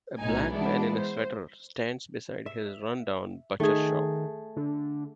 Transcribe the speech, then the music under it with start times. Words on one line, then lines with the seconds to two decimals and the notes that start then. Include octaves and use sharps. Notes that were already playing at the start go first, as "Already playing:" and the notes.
A black man in a sweater stands beside his rundown butcher shop.
0.19 B1 A2 D#4 G#5
0.52 E3 G#3 B3 D4
0.96 C5
2.46 E5
3.60 D#3 A3 G#4
4.56 D3